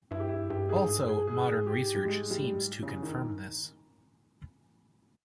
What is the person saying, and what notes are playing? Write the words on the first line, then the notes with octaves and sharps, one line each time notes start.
Also modern research seems to confirm this.
G2 E4
G4
E4
G2 G4
G#4
G#2
G#4
G2
G#4
G#2 G#4
G4
G3
G#3
G3
E2 C#3
D#3
G2